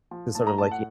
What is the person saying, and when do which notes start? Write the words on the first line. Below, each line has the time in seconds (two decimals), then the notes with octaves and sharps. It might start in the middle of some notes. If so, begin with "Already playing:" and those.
to sort of, like, you
0.11 F3
0.35 A2 A5
0.47 A#5
0.58 A2 A5
0.71 F#5